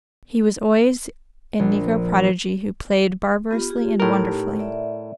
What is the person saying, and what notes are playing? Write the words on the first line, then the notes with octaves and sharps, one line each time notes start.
He was always a negro prodigy who played barbarously and wonderfully.
A#1
B3 F4 G4
F4 G4 G#4
A2 D#4 E4 G4 A#4
D5 E5